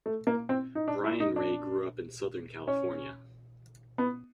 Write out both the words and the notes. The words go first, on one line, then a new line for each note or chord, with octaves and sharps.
Brian Ray grew up in Southern California.
A3
A#3
C4
D#4
D4
E4
D#4
D4
C#4
B3